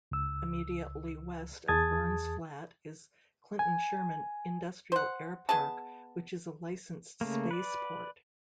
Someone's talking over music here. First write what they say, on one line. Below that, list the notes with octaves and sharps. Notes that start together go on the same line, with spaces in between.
Immediately west of Burns Flat is Clinton-Sherman Industrial Airpark which is a licensed spaceport.
C#2 E6
E2 G#4 A5 D#6 G#6 A6
G#5
C5 F#5
B3 G#4 D#5 A5
C#3 A3 A#3
B4 D5